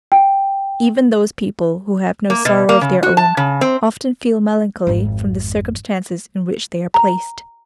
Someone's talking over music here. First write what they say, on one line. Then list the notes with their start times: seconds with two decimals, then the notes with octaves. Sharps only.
Even those people who have no sorrow of their own often feel melancholy from the circumstances in which they are placed.
0.12 G5
2.30 A#3
2.45 B2
2.69 A#3
2.81 C#3
3.03 F#4
3.17 A5
3.37 C#3
3.61 C4
4.87 G#1 F2
6.94 A#5